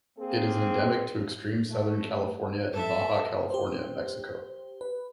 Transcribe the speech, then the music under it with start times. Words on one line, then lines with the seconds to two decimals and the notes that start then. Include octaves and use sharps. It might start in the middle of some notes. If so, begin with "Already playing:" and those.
It is endemic to extreme southern California and Baja California, Mexico.
0.18 A#3 C4 G#4
1.70 A3
2.73 A4 E5
3.50 G4 C5
4.81 B4